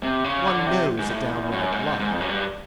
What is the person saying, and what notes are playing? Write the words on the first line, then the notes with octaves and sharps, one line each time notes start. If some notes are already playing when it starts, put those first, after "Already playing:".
One knows a downright lie.
C3
C#3
D3
C3
G#2
A2
E2
F#2
G#2
G#2
F2
F#2
G2